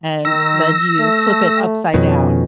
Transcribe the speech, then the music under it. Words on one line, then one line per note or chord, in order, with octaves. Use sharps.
and then you flip it upside down,
D#3 E6 A#6
A3
F2 B2 D#3 C#4